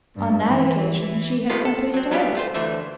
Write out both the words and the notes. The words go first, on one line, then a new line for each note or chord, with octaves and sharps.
On that occasion she had simply started.
G2
E3
E3
A2 C3 D#3 B3 F4
A4
F#3 C4
F#3 G3 B3 C#4 D4 G4
A3 F4 C5
D2 E3 A3 C5 E5